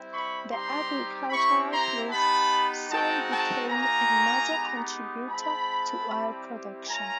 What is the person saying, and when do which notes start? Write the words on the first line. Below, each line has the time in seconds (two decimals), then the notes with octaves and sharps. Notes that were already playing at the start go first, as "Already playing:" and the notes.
The agricultural hills soon became a major contributor to oil production.
Already playing: G3 C4 E4
0.10 B5 C#6
0.49 G3 C4 D#4 G4 A#5 C6
1.29 C4 E4 G4 B5 C#6
1.69 A#5 C6
2.09 B3 D#4 G4 A5 B5
2.89 G#3 C4 D#4 F#4 G5 A5
3.29 G5 A5
3.69 A#3 D#4 F#4 G#5 A#5
4.48 G#3 B3 D#4 G4
5.28 G#3 C4 F4 A5 B5
6.08 G3 C4 E4 G4
6.88 A3 C#4 F4 G#5 A#5